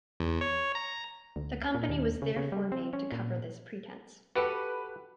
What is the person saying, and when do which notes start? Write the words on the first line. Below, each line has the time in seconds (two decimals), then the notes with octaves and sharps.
The company was therefore named to cover this pretence.
0.20 E2
0.41 C#5
0.75 A#5
1.36 D2
1.74 A#2
1.89 D#2
2.22 C#3
2.37 C#3
2.52 G3
2.72 C4
2.93 C#4
3.12 A#2
4.35 F#4 G4 A4 B4